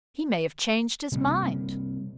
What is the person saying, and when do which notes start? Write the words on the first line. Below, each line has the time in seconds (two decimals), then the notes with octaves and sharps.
"He may have changed his mind."
1.12 C3 G3 A#3